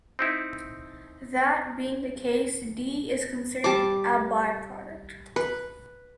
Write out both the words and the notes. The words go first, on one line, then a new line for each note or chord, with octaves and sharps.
That being the case, D is considered a byproduct.
C4 D#4 E4
G3 A5 D6
B4